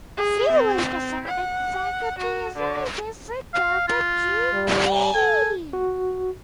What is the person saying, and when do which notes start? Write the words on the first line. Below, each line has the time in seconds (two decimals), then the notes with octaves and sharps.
She was the founding faculty advisor for Delta Chi Xi.
0.17 G#4
0.51 C4
1.27 F#5
2.19 F#4
2.56 D3
3.54 F5
3.88 F4
4.54 G3
5.15 A4 G#5
5.73 F#4